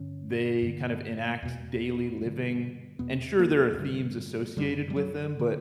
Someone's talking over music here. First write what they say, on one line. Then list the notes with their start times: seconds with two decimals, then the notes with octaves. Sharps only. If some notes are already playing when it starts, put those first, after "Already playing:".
they kind of enact daily living and sure, there are themes associated with them, but
Already playing: G2 D3 C#4
0.62 G2 D3
1.42 E2 B2
2.21 G2 D3
2.99 E2 B2 B3
3.39 A#3
3.79 G2 D3
4.57 F#2 D3 G3
4.90 G3
4.96 F#3
5.39 D3